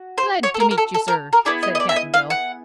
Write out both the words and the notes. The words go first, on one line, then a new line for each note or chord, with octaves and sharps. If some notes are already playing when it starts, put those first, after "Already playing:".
"Glad to meet you, sir," said Cap'n Bill.
Already playing: F#4
C5
C#5
A4
A#4
A#4
A4
A4
A#4
A#4
B3 E4 G#4 D5
D#5
D#5
D5
E5
D#5
F5
F#5